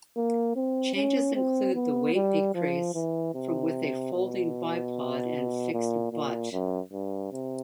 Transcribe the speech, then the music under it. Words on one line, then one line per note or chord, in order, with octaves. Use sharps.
Changes include the weight decrease from with a folding bipod and fixed butt.
A#3
C4
C#4
C4
B3
G3
F3
E3
C3
B2
A#2
A#2
F#2
G2
C3